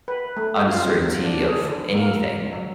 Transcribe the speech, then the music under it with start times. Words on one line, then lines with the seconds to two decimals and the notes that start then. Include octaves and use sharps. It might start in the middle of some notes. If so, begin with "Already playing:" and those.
uncertainty of anything
0.08 B4
0.37 A3
0.67 F4
0.83 C4
1.02 F#3
1.23 D4
1.45 G#4
1.69 D3
1.95 A#3
2.53 F#3